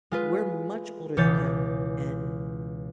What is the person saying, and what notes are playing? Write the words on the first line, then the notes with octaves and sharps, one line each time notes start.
we're much older than him, and
G#3 F4 B4
C#2 B2 E3 C#5 G6 A6